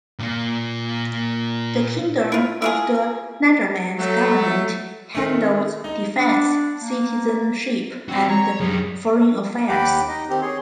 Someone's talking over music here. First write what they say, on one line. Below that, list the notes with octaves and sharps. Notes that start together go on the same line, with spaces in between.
The 'Kingdom of the Netherlands' Government handles defense, citizenship and foreign affairs.
A#2 F4
E4 F4
E4 F4 G#4
F#3 A3
D#3 A3
D#4
D4
A#3
E3 C4 F#4
C#5 A#5
F#2 G3 G#4
D#2 G4 F#5 G5 B5 D6
D#4 D#5
D#3 C4 G4
G#4 C#5 C6